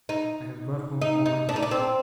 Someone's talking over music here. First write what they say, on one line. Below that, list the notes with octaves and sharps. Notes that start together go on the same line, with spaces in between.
I have brought home all my clothes.'
D#4
D#4
D#4
D4
D#4
D4
C4